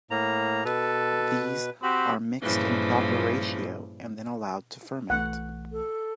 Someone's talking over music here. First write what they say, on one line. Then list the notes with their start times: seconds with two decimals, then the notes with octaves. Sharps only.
These are mixed in proper ratio and then allowed to ferment.
0.11 A2 A#3 A#5
0.65 B2 A4 B4
1.83 C4 F#4 G4 B5
2.42 G2 A#2 C#3 E3 F3
5.10 B1 E3 A3 F#5
5.72 A4